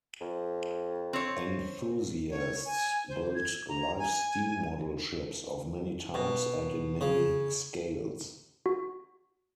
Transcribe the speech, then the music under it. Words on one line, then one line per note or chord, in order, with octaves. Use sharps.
Enthusiasts build live steam model ships of many types and in many scales.
F2
C4 C#5
C#5
G#5
C5
G#6
A#5
G#5
B2
C#3
F#4